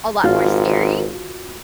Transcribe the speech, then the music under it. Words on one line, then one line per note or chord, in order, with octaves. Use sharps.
a lot more scary.
G#1 F4 F#4